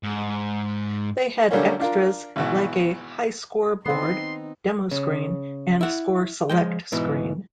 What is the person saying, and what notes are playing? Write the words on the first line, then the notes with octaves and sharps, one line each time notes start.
They had extras like a highscore board, demo screen, and score select screen.
G#2
D3 F#3 G3 A3 A#3 C#4
D4 F4 A#4
G#1 B2 E3
D#3 B3 C4 D#4 C5 C6
C#3
E4 F#5
F3 G#3 G5
G#2 B2 E3